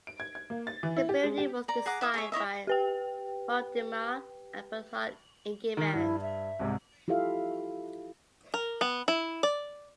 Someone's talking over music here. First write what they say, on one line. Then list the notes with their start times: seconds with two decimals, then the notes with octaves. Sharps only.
The building was designed by Valdemar and Bernhard Ingemann.
0.07 D7
0.20 G#6
0.35 G#6
0.50 A#3
0.67 A6
0.83 E3
0.96 E4
1.09 G4
1.23 G#3
1.38 G4
1.68 D5 A#5
1.86 G#4 F#5 A#5 D6
2.01 E4 E5 D#6
2.14 G#4 C#5 E5
2.32 E4 C#5 D#5 E5
2.67 G4 B4 G5
5.77 D#3
5.93 G2 E4
6.22 E5
6.59 C2 G#2 C3
7.08 E4 F4 G4 A4 E5 F5
8.54 A#4
8.81 B3
9.08 E4
9.43 D5